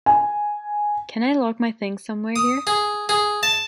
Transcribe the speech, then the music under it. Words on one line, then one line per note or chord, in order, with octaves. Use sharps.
Can I lock my things somewhere here?
G#5
D#6
G#4
G#4
A5